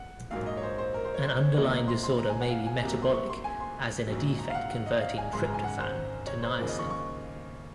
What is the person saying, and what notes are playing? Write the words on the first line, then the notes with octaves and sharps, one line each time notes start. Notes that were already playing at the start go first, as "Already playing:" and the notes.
An underlying disorder may be metabolic as in a defect converting tryptophan to niacin.
Already playing: F#5
A#1 G#2 F#3 A#3 F5
D#5
C#5
C5
C5
A#4
C5
C#5
C5
C#5
C2 A#2 F3 A#3 D#5
A#5
C6
C6
A#5
G#5
F#5
F5
G#5
C2 C3 F#3 A#3 A#5
C6
C#6
C6
G#5
C6
A#1 G#2 F#3
A#5
F5
F#5
F#5
D#5
F5
G#5
G#1 F#2 C#3 G#3 C6
A#5
G#5
F#5
C5
C#5
C5
D#2 C#3 F3 A#3
D#5
C#6
C#6